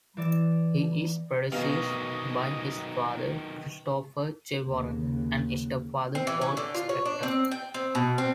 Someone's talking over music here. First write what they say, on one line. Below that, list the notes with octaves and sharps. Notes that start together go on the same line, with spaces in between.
He is predeceased by his father, Christopher J. Warren and step father, Paul Spector.
E3 D5 E7
B2 D#3 F#3 D#5 F5
D#2 C#3
C4
E3
C#4
D3
F4
C#5
D4
C4
G5
C4
B2
C4